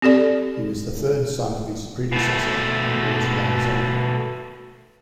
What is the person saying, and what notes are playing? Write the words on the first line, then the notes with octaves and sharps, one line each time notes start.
He was the third son of his predecessor, Emperor Xiaozong.
C4 G4 A4 D5
B2 A3